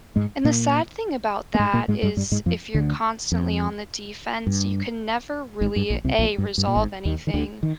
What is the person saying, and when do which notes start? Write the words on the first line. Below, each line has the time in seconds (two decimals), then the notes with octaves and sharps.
and the sad thing about that is if you're constantly on the defense, you can never really, A, resolve anything,
0.16 G#2 G#3
0.44 A#2 A#3
1.55 A#3
1.59 G#2 G#3
1.73 A#2 A#3
1.88 G#2 G#3
2.03 G2 G3
2.17 G2 G3
2.32 G#2 G#3
2.46 F2 F3
2.75 D2 D3
3.32 F2
4.47 G2
5.61 G#1 G#2
5.76 G2
5.90 A#1 A#2
6.04 C2 C3
6.19 A#1 A#2
6.38 G2
6.58 G2
6.67 A#2
6.76 G#1 G#2
7.05 D#2 D#3
7.27 D#3
7.34 D2 D3
7.63 D#3